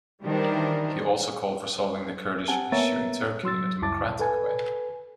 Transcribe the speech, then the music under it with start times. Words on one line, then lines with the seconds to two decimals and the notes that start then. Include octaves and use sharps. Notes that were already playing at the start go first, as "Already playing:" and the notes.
He also called for solving the Kurdish issue in Turkey in a democratic way.
0.25 D#3 E3 G3 D4 A#4 C5
2.48 C4 G4 F#5 G#5 A5
2.72 A#3 B3 C#5 E5 A#5 A6
3.44 F#3 C6 E6 A6
3.82 C#2 F#2 E4 A5 D6 A6
4.19 A4 B4 G#5